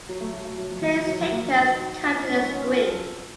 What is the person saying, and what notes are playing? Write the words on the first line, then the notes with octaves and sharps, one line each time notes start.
Players take turns cutting a string.
F#3
A3
F#3
A3
F#3
F3
D#3
F3
F#3
F3
A#3
D#4
F#4
F4
D#4
C#4
C4
C#4
F4
F4
A4